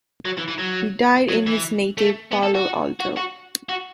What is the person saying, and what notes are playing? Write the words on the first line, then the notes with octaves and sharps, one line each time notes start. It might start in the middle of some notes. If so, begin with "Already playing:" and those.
He died in his native Palo Alto.
F#3
E3
E3
F#3
F#3
E3
A3
B3
A4
F#4
F#4
F#4
F#4